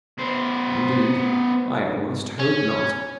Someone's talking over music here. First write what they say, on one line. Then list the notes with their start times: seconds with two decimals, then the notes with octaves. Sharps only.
Indeed, I almost hope not.'
0.18 B3 C5
2.40 C#4